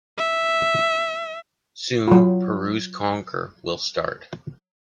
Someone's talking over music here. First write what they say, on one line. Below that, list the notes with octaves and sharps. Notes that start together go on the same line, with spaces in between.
Soon Peru’s conquer will start.
E5
F#3 F4